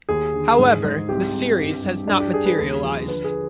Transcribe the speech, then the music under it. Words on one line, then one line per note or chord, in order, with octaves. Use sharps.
However, the series has not materialized.
D#2 G#4
D3
G#2
G#2
C2 G4
C2
G2
G2
G2 D4
G4
G2 G#4
B4
D#2 G#4
F3
D3 B4
G#4